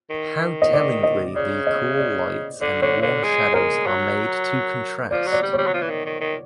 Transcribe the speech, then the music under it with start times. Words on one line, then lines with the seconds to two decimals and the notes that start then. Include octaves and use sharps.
How tellingly the cool lights and warm shadows are made to contrast.
0.10 D#3
0.62 D#5
0.73 D5
1.03 D#5
1.36 C#3 D5
1.67 D#5
1.98 D5
2.61 D3 D5
2.82 D3 C#5
3.02 D3 C#5
3.23 G#3
3.54 G#3 A#4
3.86 F#3
5.11 F3 D5
5.27 F#3
5.32 D5
5.43 G3
5.53 G3 C#5
5.67 F#3
5.73 F3
5.81 E3
5.90 D#3
6.06 D#3
6.21 D#3